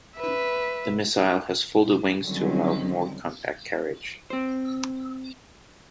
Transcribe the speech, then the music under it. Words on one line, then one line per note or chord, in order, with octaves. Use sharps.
The missile has folded wings to allow more compact carriage.
B4 E5
D3 D#3 F#3 G3 C4 C#4
C4 C5